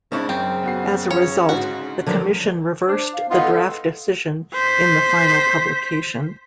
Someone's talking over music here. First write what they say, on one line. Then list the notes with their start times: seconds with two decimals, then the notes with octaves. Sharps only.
As a result, the commission reversed the draft decision in the final publication.
0.12 C#3 G#3 C4 D4 E4 C#6
0.29 F#2 C4
0.63 B3 F#4 C7
1.11 C#5
1.49 G#2 D3 F#4
2.06 D3 F3 F#3 D4 A#4
2.87 D4 C5
3.13 F5
3.30 A2 B3 D#4 F4 F5
3.44 A4
4.55 C5 B6